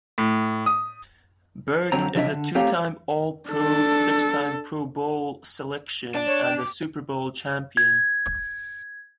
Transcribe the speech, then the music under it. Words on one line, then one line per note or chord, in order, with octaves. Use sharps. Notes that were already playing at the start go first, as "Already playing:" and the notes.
Birk is a two-time All-Pro, six-time Pro Bowl selection, and a Super Bowl champion.
A2
D#6
F2 D3 F#3 C4 A#5
C3 F3 F#3 D4 D#5 E5
D3
A3 C4 G4 C#5 F5 A#5
D4 A4
D4
C#5
G5
D6
G#6